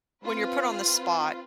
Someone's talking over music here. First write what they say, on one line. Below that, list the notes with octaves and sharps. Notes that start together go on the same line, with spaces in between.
When you're put on the spot
C4 F4 B4